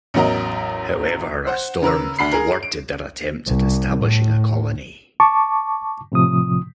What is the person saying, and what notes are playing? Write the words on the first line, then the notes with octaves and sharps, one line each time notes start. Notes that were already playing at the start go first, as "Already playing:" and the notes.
However, a storm thwarted their attempts at establishing a colony.
A1 E2 F#3 A#4 D#5
C5 F#5
C#3 A#4 B4 E6
D2 D4 B5 C7
G#4 A#4
D7
C2
A2
A5 C#6 D6
A2 C3 F3 D#6